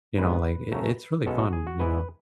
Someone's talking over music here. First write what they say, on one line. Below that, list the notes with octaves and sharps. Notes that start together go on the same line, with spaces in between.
you know, like, i it's really fun, you know?
G#1 F#2 E3 G#3 B3 B4
F#2 C#3 F#3 A3
B1 B2 G#3 C#4 A4
F#4
G#4
F#4
G#2 E3 B3 E4 B4